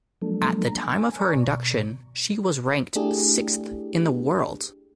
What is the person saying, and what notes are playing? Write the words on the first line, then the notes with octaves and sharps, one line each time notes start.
At the time of her induction she was ranked sixth in the world.
F3 F#3 G#3 A#3 D4 A4
A#5
G#5
D5 A#5 C#6
B2
A3 D4 E4 G4 G#4